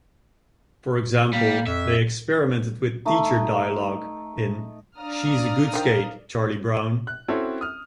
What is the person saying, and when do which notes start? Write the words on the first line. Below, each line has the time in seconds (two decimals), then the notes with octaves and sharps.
For example, they experimented with teacher dialogue in "She's a Good Skate, Charlie Brown".
1.33 G3 A#3
1.66 F2 E5
3.05 A3 D#4
4.98 D4 D5 F5 A#5 D#6 F6
5.73 D#3 F3
7.07 F#6
7.28 C4 C#4 E4 F#4 A4 C#5
7.61 D#6 F6